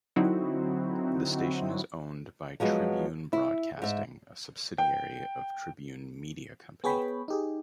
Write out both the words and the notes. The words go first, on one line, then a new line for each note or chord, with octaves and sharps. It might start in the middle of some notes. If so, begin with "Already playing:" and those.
The station is owned by Tribune Broadcasting, a subsidiary of Tribune Media Company.
D3 F#3 C4 D#4 E4 F#4
F3 F#3 G#3 B3
E4
G#2 E5
G5
B3 G#4 C#5 G5 B5
D#4 G4 G#4